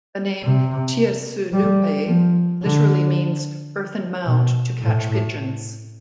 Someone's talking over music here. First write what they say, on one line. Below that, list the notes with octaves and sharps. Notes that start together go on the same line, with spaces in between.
The name "Tia Seu Lupe" literally means "earthen mound to catch pigeons".
C3
G3
F3
D3
B2
A2